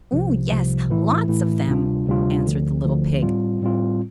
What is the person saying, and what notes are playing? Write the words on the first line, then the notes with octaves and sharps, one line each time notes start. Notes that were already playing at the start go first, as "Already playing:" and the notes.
"Oh, yes, lots of them," answered the little pig.
C2 C3 F3
C2 C3 F3
A2 E3 A3 E4
A2 E3 A3 E4
D2 C3 G3 D4 F4
D2 C3 G3 D4 F4
D2 D3 F3
D2 D3 F3
A2 G3 C4 F4
A2 G3 C4 F4